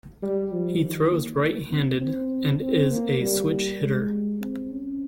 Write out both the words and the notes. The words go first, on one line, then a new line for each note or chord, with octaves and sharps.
He throws right-handed and is a switch-hitter.
G3
F3
D#3
A#3
C4
C4
C4
A#3
G3
G#3
C4
C#4